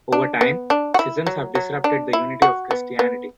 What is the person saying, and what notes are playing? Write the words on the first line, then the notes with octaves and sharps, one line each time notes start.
Over time, schisms have disrupted the unity of Christianity.
D4
B3
D4
F#4
E4
F#3
F#3
D4
E4
F#4
B3
B3